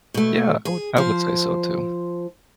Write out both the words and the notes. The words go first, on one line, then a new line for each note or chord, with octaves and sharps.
Yeah. I would I would say so too.
B2 A3
G#4
F3 C5